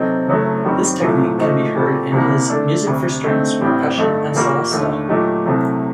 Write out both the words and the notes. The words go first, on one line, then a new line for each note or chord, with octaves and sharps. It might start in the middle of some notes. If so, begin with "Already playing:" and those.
This technique can be heard in his "Music for Strings, Percussion and Celesta".
Already playing: C3 F#3 C4 D#4 A4
F#1 F#2 F#3 A3
F#2 D#3 G3 C4 F#4
C2 A#2 F#3 A3
A#2 A3 D#4 F#4 C5
A#2 G3 C4 F#4 A4
C2 C3 G3 A#3
D3 A3 D4 A4
D2 C3 G3
D3 A3 C4 D#4
A1 A2 G3 C4 G4
G2 D3 A3 D#4 A4
A#2 G3 A#3 F#4
D#2 D3 A3
A#2 F#3 A3 D#4 G4
C2 C3 F#3 A3